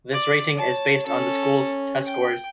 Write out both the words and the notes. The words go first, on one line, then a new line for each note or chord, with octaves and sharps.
This rating is based on the schools' test scores.
D5
C#5 A5
C#4 A4
G5